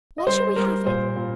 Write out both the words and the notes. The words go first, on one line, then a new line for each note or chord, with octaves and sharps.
When shall we have it!
D#5
G3 C5
G3 A#4
A#2 C5
A#2